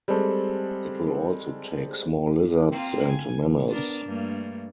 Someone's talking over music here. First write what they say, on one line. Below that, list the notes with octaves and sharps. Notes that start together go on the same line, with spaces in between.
It will also take small lizards and mammals.
G3 G#3 C4 A4
A#3 C4 F4
G#5
B3 D4 A#4
G2 A3 A#3